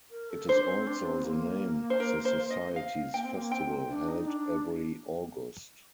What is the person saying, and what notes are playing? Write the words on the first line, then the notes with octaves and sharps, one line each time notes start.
It is also the name of the society's festival, held every August.
A#4
A4
D4 C5
C4
D4
C4
A#3
C5
A#4
C5
D#5
F5
A#3 G5
C4
A#3
C4 G5
D4
D#4
D4